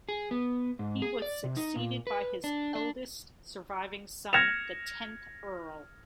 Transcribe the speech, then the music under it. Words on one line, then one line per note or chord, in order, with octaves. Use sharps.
He was succeeded by his eldest surviving son, the tenth Earl.
G#4
B3
G#2
G#4
D5
C3
D#4
A#2
B4
D4
D4
F6 G#6 A#6 C#7 E7 F7